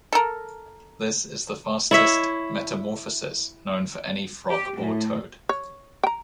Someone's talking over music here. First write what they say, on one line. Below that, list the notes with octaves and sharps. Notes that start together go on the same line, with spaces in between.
This is the fastest metamorphosis known for any frog or toad.
A4 A#4
E4 C#5 E5
G4
A2
C#5
G5 A#5